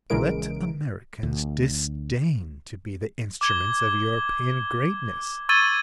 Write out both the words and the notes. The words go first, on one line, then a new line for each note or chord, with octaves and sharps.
Let Americans disdain to be the instruments of European greatness!
A#1 C#3 E3 G#3 A#4 D7
D2
D6 G#6 G7
C#6 E6 G#6 A6 D#7 G7